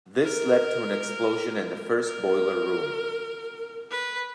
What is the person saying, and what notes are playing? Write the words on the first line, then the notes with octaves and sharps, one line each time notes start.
This led to an explosion in the first boiler room.
A#4
A#4
B4